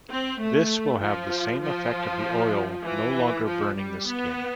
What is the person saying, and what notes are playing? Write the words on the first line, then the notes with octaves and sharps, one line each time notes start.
This will have the same effect of the oil no longer burning the skin.
C4
A3
F3
F3
E3
F3
G3
B3